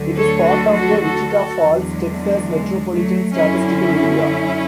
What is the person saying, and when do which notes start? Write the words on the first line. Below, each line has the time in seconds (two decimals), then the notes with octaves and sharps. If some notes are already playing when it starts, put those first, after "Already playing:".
It is part of the Wichita Falls, Texas Metropolitan Statistical Area.
Already playing: D2 D3 F#3
0.16 A4 C#5
0.45 F#4 A4
0.74 F#4 A4
1.04 F#4 A4
1.31 F#4 A4
1.60 E2 D3 F#3
1.89 G#3
2.19 G#3
2.48 G#3
2.90 F#3 A3
3.34 F#2 D3 F#3 C#4 E4